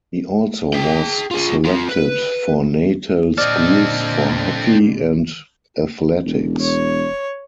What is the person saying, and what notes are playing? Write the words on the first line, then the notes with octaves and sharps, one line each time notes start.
He also was selected for Natal schools for Hockey and athletics.
G#4 G5
F4 G#4
C4 F4
B4
A#2 D3 C4 A4 D5 D#5 F6
E1
C#5